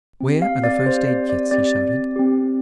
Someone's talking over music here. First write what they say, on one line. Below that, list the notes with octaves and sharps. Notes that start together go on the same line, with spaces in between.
"Where are the first-aid kits?" he shouted.
C4 G4
F5
D5
C4 G4 C5
D5
D5
C4 G4 D5
C4 G4